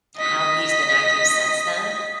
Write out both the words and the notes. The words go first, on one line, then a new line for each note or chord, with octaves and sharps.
how he's been acting since then.
D#5 B6